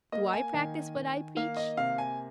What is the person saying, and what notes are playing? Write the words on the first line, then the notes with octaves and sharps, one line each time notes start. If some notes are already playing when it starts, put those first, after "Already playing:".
Do I practise what I preach?
A#3 D#5
G#5
D#3
D#3
A#3 F5
D#5
C3 F5
G#5